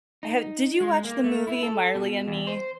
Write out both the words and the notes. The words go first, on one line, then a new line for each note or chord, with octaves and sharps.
have did you watch the movie Marley and Me?
D#4
G#3
A#3
A3
E4
A4
B2
E2
C5